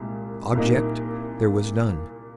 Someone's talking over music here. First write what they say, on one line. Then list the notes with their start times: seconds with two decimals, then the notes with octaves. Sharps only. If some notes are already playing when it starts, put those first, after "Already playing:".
Object there was none.
Already playing: C2 A#2 G#3
0.55 C2 A#2 A#3 D#4